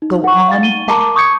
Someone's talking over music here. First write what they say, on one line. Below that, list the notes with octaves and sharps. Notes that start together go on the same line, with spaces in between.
"Go on back!"
D#4
F#5 C#6
F5 A6
D#4 D#7 G7
A#4 A5 A#5 D6
C#6 D#6 G6 G#6 C#7